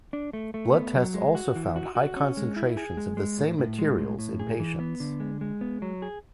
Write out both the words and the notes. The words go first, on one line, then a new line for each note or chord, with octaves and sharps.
Blood tests also found high concentrations of the same materials in patients.
D4
A3
A3
B3
F#3
G#3
F#4
E3
F#4
F#4
C#4
G#3
E4
G#4
G#3
G#3
A2
A2
G#3
A2
A2
G#4
E3
B3
D3
G#3
G#3
B3
F#3
G#4